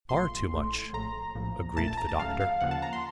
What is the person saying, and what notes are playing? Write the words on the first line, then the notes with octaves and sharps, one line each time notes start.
"Far too much," agreed the doctor.
A#1 A#2 A3 C6
A1 A2 A3
A#1 A2 A3 A#5
A#1 A2 F3
A#1 A#2 A3 A5
A5
A#5
A5
D#2 C#3 F#3 A3 F5
F5
D#2 C#3 F3 A#3 F#5
A5
A#5
C6